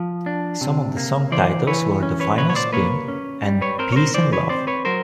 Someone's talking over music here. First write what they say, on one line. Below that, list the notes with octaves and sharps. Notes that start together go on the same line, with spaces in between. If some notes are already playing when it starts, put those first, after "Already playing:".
Some of the song titles were "The Final Spin" and "Peace And Love".
Already playing: F3
D4
C3
A#3
E3 C5 D5
E3 B4 C#5
C#4
B4 C#5
A#2 B4 C#5
C#5
C5 D5
A#3 B4 C#5
C#4
G3
B4 C#5
C4 A#4 C5
C#5
A#4 C5
E3 C5 D5
B4 C#5
C4 C5 D5
B4 C#5
F#3 A#4 C5